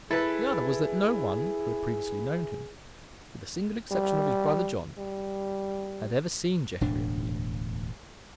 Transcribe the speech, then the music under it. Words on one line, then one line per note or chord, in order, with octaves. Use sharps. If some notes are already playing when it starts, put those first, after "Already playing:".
The other was that no one who had previously known him, with the single exception of his brother John, had ever seen Jeffrey at the inn.
E4 G#4 A4 B4 A5
G3
G3
E1 D2 A2 D4